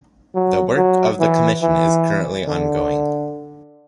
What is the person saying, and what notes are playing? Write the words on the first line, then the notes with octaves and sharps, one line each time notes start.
The work of the commission is currently ongoing.
F#3
F#3
E3
E3
D3